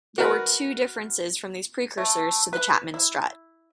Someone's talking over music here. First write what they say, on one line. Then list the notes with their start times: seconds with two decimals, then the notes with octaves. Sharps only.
There were two differences from these precursors to the Chapman strut.
0.18 F#4 A#4 B4
1.98 A3
2.53 B4
2.94 E4